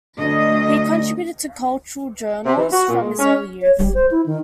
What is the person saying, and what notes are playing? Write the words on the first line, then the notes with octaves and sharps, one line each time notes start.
He contributed to cultural journals from his early youth.
D2 D#5
C3
E3
F#4
A#2
G#3
C#4
C#5
G3
C5
E4
D#3